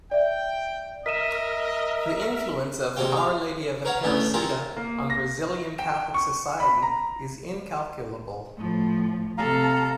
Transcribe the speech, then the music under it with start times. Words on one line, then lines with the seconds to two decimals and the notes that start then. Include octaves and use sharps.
The influence of Our Lady of Aparecida on Brazilian Catholic society is incalculable.
0.11 D5 E5 G5
1.06 A#4 D#5 E5 B6 D#7 E7
2.96 C3 G#3 F#4 C5 F5 G5
3.17 F5
3.85 A#4 B4 C#5 F5 F#5
4.03 A2 E3 B3 C#4 D4
4.34 C4 F4 G4 G#4 A#4
4.77 A#3
5.10 A#6
5.79 G5
6.14 C#6
6.60 B5
6.82 A#5
8.57 A2 F3
9.38 C3 A4 F5 A#5